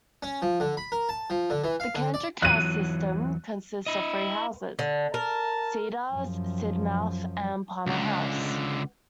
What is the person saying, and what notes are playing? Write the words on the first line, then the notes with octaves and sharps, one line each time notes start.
The Kendrick House system consists of three houses; Cedars, Sidmouth and Palmer House.
C#4
F3
D3
B5
A#4
A5
F3
D3
E3
F5
D3
D5
E2 E3 F#3 F#6 D#7
E4 D#5
D3
A#4 A5
F#2 F3
C#2 D3